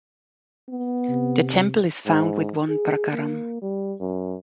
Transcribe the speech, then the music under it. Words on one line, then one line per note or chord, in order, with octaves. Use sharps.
The temple is found with one prakaram.
B3
C3
G#2
G#4
A#3
G3
F#2